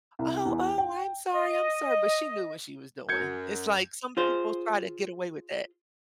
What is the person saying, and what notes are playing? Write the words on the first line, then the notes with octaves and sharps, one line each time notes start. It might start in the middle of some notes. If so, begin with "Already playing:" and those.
"Oh, oh, I'm sorry, I'm sorry," but she knew what she was doing. It's like some people try to get away with that.
C2
E2
G5
D#5
F#2 G6 G#6 C#7
F4 G#4 C5